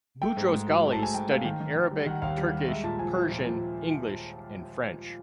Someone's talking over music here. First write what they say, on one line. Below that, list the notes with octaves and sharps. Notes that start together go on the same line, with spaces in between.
Boutros Ghali studied Arabic, Turkish, Persian, English and French.
A3 G5
G#2
G#2
F#3
G#2
A5
A3 G#5
G#2 G5
A3 F5
D#3 G5
D#3
D#3
G3
D#3 F#5
D#2 F5
G3
G3
G#3 E5
A#2 A5
F3 G#5
F3
A#2
F3